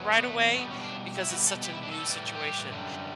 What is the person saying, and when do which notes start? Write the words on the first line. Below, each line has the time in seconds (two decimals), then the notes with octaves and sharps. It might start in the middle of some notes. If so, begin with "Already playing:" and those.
right away because it's such a new situation.
Already playing: E2 B2 F#3
0.11 G3
0.18 B3
0.23 A3
0.54 A3
0.58 B2 G3 B3
0.70 C#4
0.81 D4
1.17 E4
1.29 B2 G3 F#4
1.47 A4
1.65 G4
1.73 E4
1.83 D4
1.91 A4
2.00 A2 E3 G3
2.35 G4
2.71 F#2 D3 G3